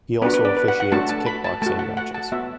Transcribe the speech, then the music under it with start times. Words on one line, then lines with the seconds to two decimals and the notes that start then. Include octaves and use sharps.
He also officiates kickboxing matches.
0.22 B3 D4 F#4 B4
0.34 B4
0.45 D5
0.57 B4
0.68 F#5
0.80 F#5
0.92 A3 D4 F#4 A5
1.09 A5
1.26 B5
1.44 A5
1.62 A3 F#4 A5
1.79 F#5
1.97 F#5
2.14 A5
2.32 B3 F#4 E5